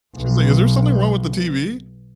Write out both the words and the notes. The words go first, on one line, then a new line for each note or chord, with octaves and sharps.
She's like, "Is there something wrong with the TV?"
B1 B2